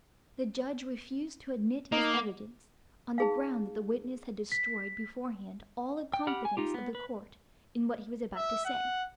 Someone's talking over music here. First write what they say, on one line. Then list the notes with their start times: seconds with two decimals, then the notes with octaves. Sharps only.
The judge refused to admit his evidence, on the ground that the witness had destroyed beforehand all the confidence of the Court in what he was about to say.
1.92 A#3 D#4
3.18 D#4 G#4 F5
4.52 B6
6.14 G5
6.27 G4 F#5 B5 F6
6.45 G#5
6.57 D#4 F4 G4
6.74 B3
6.95 B4
8.36 E5
8.65 F#5